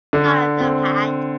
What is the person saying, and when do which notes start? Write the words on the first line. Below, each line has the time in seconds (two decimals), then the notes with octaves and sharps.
None of them had.
0.13 D3
0.60 C4